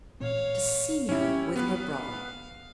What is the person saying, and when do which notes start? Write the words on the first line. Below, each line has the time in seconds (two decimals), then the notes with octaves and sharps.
To see her with her brother!
0.20 A1 A#2 C4 C#5 F5
1.09 G2 F3 C4 C#4 E4 G4
1.56 B3 B4 F5